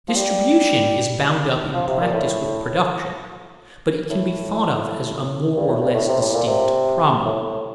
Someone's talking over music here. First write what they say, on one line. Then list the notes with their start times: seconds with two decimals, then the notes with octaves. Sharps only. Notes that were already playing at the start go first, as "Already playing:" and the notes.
Distribution is bound up in practice with production, but it can be thought of as a more or less distinct problem.
0.08 F3
0.16 G3
1.74 F3
1.87 C3
2.00 A#2
2.13 A2
4.10 A2
5.56 G2
5.68 A2
5.81 G2
5.94 A2
6.08 C3
6.20 A2
6.33 A#2
6.47 C3
7.25 A2
7.45 A2